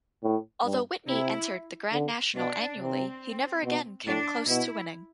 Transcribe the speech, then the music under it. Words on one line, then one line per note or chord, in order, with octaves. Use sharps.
Although Whitney entered the Grand National annually, he never again came close to winning.
A2
G2
C3 E4
D3
B2 D4
C3 C4
B2
A2 D4
B2 E4